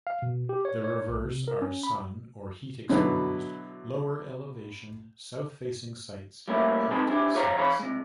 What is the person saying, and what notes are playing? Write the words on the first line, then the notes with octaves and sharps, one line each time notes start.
The reverse are sun- or heat-exposed, lower-elevation, south-facing sites: "hot sites".
F5
B2
G4
C#5
C#5
B1
C3
A#4
C#4
B5
B2 D3 F#3 E4 B4 B5
G3 A3 A#3 C#4 E4
G#3 C4 D#4 G#4 A4 B4
D4 E4 G4 G#4
G#4 C5 C#5 F5 A#5
E3 C#5 F5 B5
C3 G#3